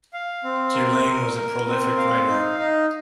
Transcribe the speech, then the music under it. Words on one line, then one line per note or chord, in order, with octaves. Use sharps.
Guillain was a prolific writer.
F5
C4
A#4
A#4
A#4
C4
F5
D#4
D#4